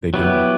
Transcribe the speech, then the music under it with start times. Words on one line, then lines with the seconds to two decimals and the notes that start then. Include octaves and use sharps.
They do.
0.14 F#3 B3 E4 G4 B4